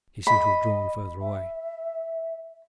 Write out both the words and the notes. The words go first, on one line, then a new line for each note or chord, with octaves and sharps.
He seemed to have drawn further away.
D#5 B5
E5